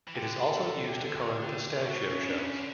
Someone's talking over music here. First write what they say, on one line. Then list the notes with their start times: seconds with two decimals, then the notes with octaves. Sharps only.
It is also used to color pistachio shells.
0.08 E3
0.15 D3 G4
0.57 A4
0.88 G4
0.99 A4
1.41 G4
1.82 B2 F#4
2.10 C#4
2.25 C#3 D4
2.38 C#4
2.58 D3